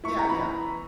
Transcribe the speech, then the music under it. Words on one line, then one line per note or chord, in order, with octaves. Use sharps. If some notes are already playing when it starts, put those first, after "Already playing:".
Yeah, yeah,
E4 C#6
A#5
E3 B5